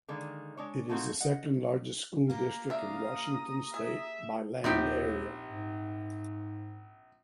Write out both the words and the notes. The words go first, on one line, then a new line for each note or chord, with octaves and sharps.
It is the second largest school district in Washington State by land area.
D3 D#3 G#3 A#3
G#3 D4 C#5
F#3 A3 A#3 C4 D#4 F#4
D#5 F#5
A#3 G4 F5 A#5
D4 E5 A#5 D#6
G#4 E5
A#1 D#2 C4 D#4 G4
G#2